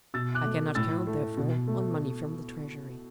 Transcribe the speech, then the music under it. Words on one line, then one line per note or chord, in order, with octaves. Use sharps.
"I cannot count, therefore, on money from the treasury."
B2 E6 A6
D6 F#6
A3
A2 E6 A6
A3
B2
A3